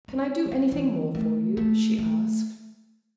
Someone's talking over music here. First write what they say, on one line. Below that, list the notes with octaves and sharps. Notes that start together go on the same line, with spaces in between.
"Can I do anything more for you?" she asked.
G3
G3
F#3
E3
A3
A3
A3